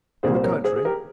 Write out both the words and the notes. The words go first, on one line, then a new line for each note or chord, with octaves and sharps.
"In the country?"
C2 A#2 G3 G#4 C5
C5
A#4 C#5
G#4 C5
G#4
G4 A#4